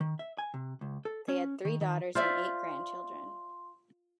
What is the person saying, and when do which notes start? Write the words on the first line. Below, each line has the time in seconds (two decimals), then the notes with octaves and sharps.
They had three daughters and eight grandchildren.
0.01 D#3
0.19 E5
0.38 G#5
0.54 C3
0.81 C#2
1.05 A4
1.28 C#4
1.65 D#3
1.81 D#3
2.15 F4 C5 D5 E5 C6